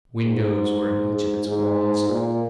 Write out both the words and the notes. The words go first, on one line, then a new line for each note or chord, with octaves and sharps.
Windows were in each of its walls.
G#2
G#2
G#2
A#2